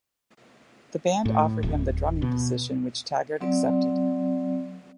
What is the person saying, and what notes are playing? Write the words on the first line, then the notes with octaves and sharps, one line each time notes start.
The band offered him the drumming position which Taggart accepted.
A2
D1
B2
F#3 C4 D5